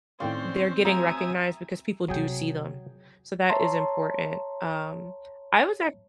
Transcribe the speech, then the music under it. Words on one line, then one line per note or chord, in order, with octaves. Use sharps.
they're getting recognized because people do see them. So that is important. Um, I was act
A2 D#3 C4 C#4 D5 F5 G5 C6
F#3 A3 F#4 E5 G#5 A#5 D#6
E1 C3 F#3 G#4 G5
C#5 E5 A5 A#5 C6